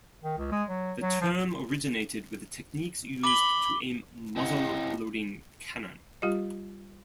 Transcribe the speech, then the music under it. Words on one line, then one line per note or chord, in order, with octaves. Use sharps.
The term originated with the techniques used to aim muzzle-loading cannon.
D#3
C#2
G#3
F#3
F#3
F3
B5 D6 G7
C4 E4 D#5 F#5
G3 F4 G4 D#5